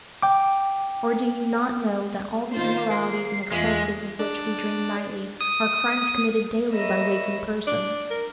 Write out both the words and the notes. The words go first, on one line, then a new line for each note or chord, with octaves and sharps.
Or do you not know that all the immoralities and excesses of which we dream nightly are crimes committed daily by waking persons?
G5 D6
D#3 F4 C5
A#3 C7
E2 G#3 F4 B5
D4
D#6
A#4 C#5 D#5 E5 B5 E6
D4
A#4